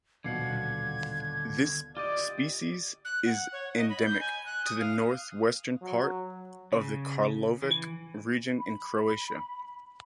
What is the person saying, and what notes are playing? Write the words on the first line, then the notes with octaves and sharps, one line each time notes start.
This species is endemic to the northwestern part of the Karlovac region in Croatia.
D#1 B2 D3 F5 F#5 G#6
F4 G4 D5 D#5
F#6
F#5
C#5
D#5
B5
G6
G#5
F#6
D#6
F5
F#3
C#3
E3
B5